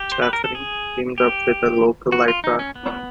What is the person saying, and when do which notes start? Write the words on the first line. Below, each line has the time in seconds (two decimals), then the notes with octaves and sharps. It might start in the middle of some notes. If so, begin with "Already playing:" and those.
Stephanie teamed up with a local lifeguard.
Already playing: G4
0.12 C5
0.22 B4
0.33 A#4
0.44 A4
0.55 G#4
1.18 G4
2.12 F#4
2.28 F4
2.44 D#4
2.59 C#4
2.76 B3